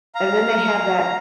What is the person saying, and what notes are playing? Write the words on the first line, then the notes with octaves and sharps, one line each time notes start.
and then they have that
F5 A#5